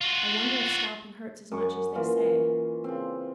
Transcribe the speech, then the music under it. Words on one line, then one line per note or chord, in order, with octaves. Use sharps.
I wonder if scalping hurts as much as they say.'
F4 F#4
F#2 C#6
E3 A#3 F4
C#3 C4